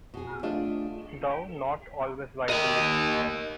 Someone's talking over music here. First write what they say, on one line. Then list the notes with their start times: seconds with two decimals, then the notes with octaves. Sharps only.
Though not always wisely.
0.14 B2 G#4
0.43 A3 D4 F4 G#4 D#5
2.50 A#3 D#5